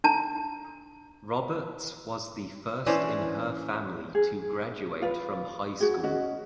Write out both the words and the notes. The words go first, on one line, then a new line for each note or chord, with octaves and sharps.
Roberts was the first in her family to graduate from high school.
D4 A5 A#5
E3 C#4 D4 C5
G#4
F4 B4
F#4 G#4
C#4 F#4 D#5